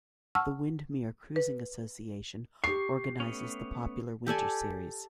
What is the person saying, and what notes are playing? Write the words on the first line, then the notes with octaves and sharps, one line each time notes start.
The Windermere Cruising Association organises the popular Winter Series.
F#5 A5 C#6 E6 F6
B4
G4 C#6 C7
A3 B3 C#4
G4 A4 D5 G#5